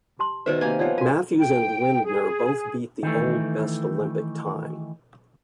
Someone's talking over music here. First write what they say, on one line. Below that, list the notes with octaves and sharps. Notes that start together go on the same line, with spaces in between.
Matthews and Lindner both beat the old best Olympic time.
G4 A5 C6
B2 D#3 B4 C5 D5 E5
C3 A#3 G#5
F3 B3 C#5 D5 F#5
F4 F#4 G#5
G5
G#4
D#3 E3 A3